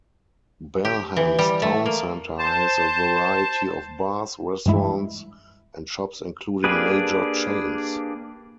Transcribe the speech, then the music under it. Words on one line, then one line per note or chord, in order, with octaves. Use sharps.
Balham's town centre has a variety of bars, restaurants and shops including major chains.
G4
E3
G3
A3
A#3
C5 A5
G2 E3 G#3 E4
A#3 D4 G4 G#4 B4